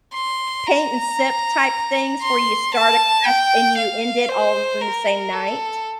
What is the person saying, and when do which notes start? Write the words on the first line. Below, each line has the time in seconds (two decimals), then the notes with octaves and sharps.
paint and sip-type things where you start a class and you end it all in the same night,
0.13 C6
0.66 A#5
2.22 C6
2.74 A5
3.26 G5
3.77 F5
4.28 C5
4.81 A#4
5.32 A4